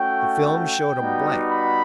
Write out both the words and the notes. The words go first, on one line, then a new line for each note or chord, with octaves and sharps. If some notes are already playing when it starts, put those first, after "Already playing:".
The film showed a blank.
Already playing: A3 C#4 F#4 G5
G5
G3 B3 D#4 F#4
B5